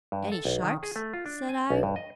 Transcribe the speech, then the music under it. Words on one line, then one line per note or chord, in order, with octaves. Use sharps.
"Any sharks?" said I.
G2
A4
B1
D#3
G#4
A3
F4
D4
G#5
B1
G2
D#5